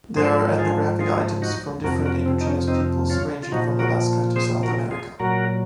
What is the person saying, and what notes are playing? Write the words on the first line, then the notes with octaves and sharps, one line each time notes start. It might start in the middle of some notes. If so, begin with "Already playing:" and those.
There are ethnographic items from different indigenous peoples ranging from Alaska to South America.
G#2 F3 G#4 C5
F4 G#4
F4 G#4
D#4 F#4
F2 C3 F3 F#4 A#4
F#4 A#4
C4
D#4
C#4
C4 D#4
C#4 F4
F4
A#2 F3 D#4 F#4
F#4 A#4
G#4 C5
F#4 A#4
F4 G#4
A#2 F#3 F#4 A#4